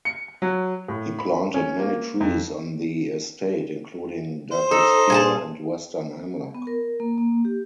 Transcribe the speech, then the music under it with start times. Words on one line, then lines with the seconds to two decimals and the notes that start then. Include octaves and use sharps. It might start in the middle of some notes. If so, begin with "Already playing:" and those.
He planted many trees on the estate including Douglas Fir and Western Hemlock.
0.05 C#7
0.42 F#3
0.88 A2
1.19 B5
1.54 C#4
1.79 A#3
2.20 F2
4.52 C5
4.71 D#4 A4
5.10 A#2 G#4 A5
6.55 B3
6.67 A#4
7.00 A#3
7.18 A#3
7.45 G4